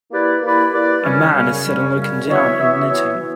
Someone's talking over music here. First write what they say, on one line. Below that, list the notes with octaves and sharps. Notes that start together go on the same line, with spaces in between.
A man is sitting looking down and knitting.
A#3 E4 G4 B4 D5
A#3 E4 G4 B4 D5
A#3 E4 G4 B4 D5
F#2 C#3 G3 C#4
F#2 C#3 G3 C#4
F#2 C#3 G3 C#4
F#2 C#3 G3 C#4
E3 B3 F#4 C#5 E5
E3 B3 F#4 C#5 E5
E3 B3 F#4 C#5 E5
E3